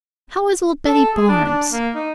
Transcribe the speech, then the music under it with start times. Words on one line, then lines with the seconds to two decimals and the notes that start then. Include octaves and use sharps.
'How is old Betty Barnes?'
0.86 A4
1.15 G#4
1.28 D4
1.45 D4
1.72 A#3
1.95 D#4